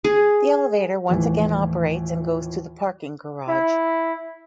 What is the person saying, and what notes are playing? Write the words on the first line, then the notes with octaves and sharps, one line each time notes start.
The elevator once again operates and goes to the parking garage.
G#4
D#2 A2 E3 F3
E4